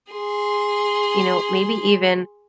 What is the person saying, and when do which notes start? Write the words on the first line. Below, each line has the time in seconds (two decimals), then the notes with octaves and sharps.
you know, maybe even
0.13 G#4 C6